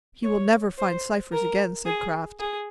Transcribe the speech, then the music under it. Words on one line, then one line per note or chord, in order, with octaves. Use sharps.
"He will never find Cypher's again," said Kraft.
C#5
C5
A#4
G#4
G#4